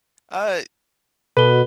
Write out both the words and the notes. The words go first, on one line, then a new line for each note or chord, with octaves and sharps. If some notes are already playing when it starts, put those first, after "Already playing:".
uh, it
B2 A4 B4 G7